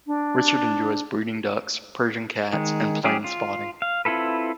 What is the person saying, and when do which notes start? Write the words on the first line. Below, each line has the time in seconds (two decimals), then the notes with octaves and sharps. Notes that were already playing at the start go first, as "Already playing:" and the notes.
Richard enjoys breeding ducks, Persian Cats and plane spotting.
0.07 D4
2.53 D#3 G#3
3.04 F#3 G3 C#4 G4 G#4
3.24 F4
3.82 F5
4.05 C4 E4 F4 A4 B4